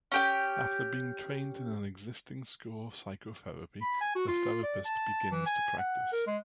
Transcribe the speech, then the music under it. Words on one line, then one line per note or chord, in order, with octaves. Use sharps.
After being trained in an existing school of psychotherapy, the therapist begins to practice.
C#4 G4 G5
B5
G#5
F#4
F4
D5
A5
E3
G#5
F#5
A#4
G#3